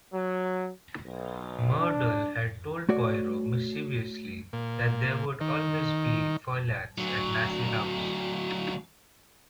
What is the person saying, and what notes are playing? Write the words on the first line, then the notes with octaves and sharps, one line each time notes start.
Merdell had told Poirot mischievously that there would "always be Folliats at Nasse House".
F#3
B1
D4
A3 F#4 C#5 D5
A#2
D#3
D2 F#3